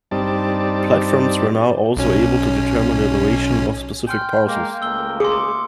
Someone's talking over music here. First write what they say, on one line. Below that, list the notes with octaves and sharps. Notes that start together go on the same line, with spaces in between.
Platforms were now also able to determine the elevation of specific parcels.
G2 G3 C4 D#4 D5 A5
B1 C#4
G5 G#5 C6 F6
G#3 A#3 G5
C#2 A3 A#3 E6 G7
G#4 C6 D6 D#6 C#7